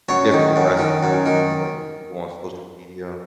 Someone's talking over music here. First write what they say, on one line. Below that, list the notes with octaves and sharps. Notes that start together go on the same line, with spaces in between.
different recipes, like, you can go on social media
F#2 C#5
D#3
F#2
D#3
F#2
D#3